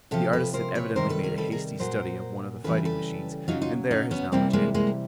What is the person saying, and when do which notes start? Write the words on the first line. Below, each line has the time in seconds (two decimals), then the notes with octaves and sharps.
The artist had evidently made a hasty study of one of the fighting-machines, and there his knowledge ended.
0.11 C3 F3 G4 A4
0.33 A4 B4
0.54 A#4 C5
0.75 B4 C#5
0.96 C3 D#3 G3 A#4 C5
1.09 A4 B4
1.23 G#4 A#4
1.38 A4 B4
1.52 G#4 A#4
1.80 A#2 F#3 A#4 C5
2.64 C#3 E3 G3 A4 B4
2.85 A4 B4
3.48 C#3 F#3 D#4 F4
3.62 D#4 F4
3.91 C#4 D#4
4.11 B3 C#4
4.32 C3 E3 G3 A#3 C4
4.53 G#3 A#3
4.74 G#3 A#3